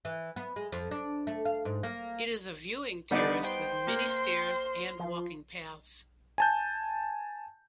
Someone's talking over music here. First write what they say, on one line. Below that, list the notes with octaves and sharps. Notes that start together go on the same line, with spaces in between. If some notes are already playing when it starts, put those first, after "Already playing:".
It is a viewing terrace, with many stairs and walking paths.
E3
B3
G#3
F2
D4
A3
F5
G#2
A#3
D3 G3 B3 D#4 B4 D5
C5 G5 C6
A#3
F3
G#5 A5 G6